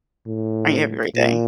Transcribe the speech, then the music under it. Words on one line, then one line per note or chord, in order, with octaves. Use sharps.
I Have a great day.
A2
A#2